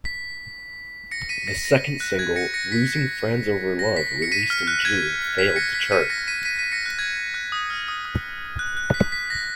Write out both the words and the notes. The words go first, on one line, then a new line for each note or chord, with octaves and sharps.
The second single, "Losing Friends Over Love", released in June failed to chart.
B6
A#6 C#7
B6 D#7
A#6 C#7
A#6
F#6
G#6
A#6 C#7
A#6 C#7
B6
A#6
B6
C#7
B6 D#7
F6
F#6
G#6
B6
A#6 C#7
B6
B6 D#7
A#6 C#7
B6 D#7
B6 D#7
B6 D#7
A#6 C#7
F#6
G#6
F#6
D#6
F6
D#6
D#6
F#6
F#6
B6
B6
A#6